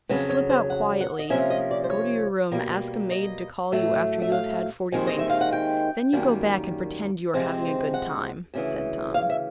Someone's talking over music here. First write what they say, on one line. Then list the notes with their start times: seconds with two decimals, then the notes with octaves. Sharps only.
"You slip out quietly, go to your room ask a maid to call you after you have had forty winks, then you go back and pretend you are having a good time," said Tom.
0.09 F2 C#3 F#3 B4
0.29 C#5
0.49 C5
0.70 F#5
1.01 F#5
1.19 D#5
1.30 C3 F3 A#3 C#4 E5
1.50 D#5
1.71 D5
1.84 C5
1.90 C#5
2.51 B2 G3 A#3
3.11 D#5
3.72 A2 F#3 A3
4.22 E5
4.32 F5
4.92 D#2 D#3 G#3 C4
5.07 D#5
5.19 E5
5.30 F5
5.41 F#5
5.53 G5
6.13 F#2 D#3 G3 A#3
7.34 C3 F3 G#3 C4
7.94 F#5
8.54 D2 C#3 E3
9.14 F5
9.30 E5